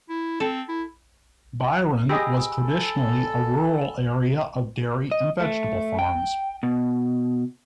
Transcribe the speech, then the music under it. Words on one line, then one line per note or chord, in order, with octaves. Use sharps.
Byron was traditionally a rural area of dairy and vegetable farms.
E4
C4 A4
E4
G4 G#4 D#5 G#5 B5 E6
A4
D#5
A3
G5
B2